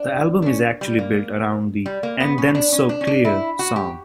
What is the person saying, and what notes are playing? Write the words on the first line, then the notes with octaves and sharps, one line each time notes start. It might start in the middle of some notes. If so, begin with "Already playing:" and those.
The album is actually built around the "And Then So Clear" song.
Already playing: D4
D4
C#4
G3
A#3
G3
A#3
B3
C#4
D4
C#4
D4
C#4
D4
E4
F#4
G4